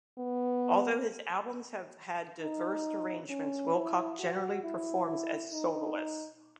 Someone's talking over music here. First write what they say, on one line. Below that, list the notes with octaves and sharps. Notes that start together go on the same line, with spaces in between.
Although his albums have had diverse arrangements, Wilcox generally performs as a soloist.
B3
D#4
C#4
E4
F#4
E4
D#4